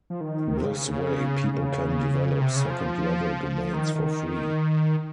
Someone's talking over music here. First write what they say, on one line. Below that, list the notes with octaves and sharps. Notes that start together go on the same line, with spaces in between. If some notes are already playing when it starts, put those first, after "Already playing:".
This way people can develop second-level domains for free.
F3
D#3
C3
C#3
C#3
C3
C#3
F3
D#3
D#3